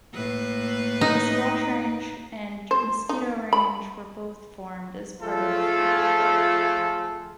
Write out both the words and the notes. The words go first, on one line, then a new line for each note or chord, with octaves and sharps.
The Sawatch Range and Mosquito Range were both formed as part of the uplift.
A2 A#3 B4
D#4
C5
D#4
B5
F3 A3 F4 G#4 A4